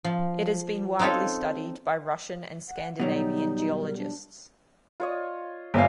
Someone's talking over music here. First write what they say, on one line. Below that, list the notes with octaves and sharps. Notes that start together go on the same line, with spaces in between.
It has been widely studied by Russian and Scandinavian geologists.
F3
C4 D#4 F4 A4 C#5
F#5
B2 F#3 G3 D#4
A#4
D4
F4 C#5 D#5
G1 C5 D5 F5 G#5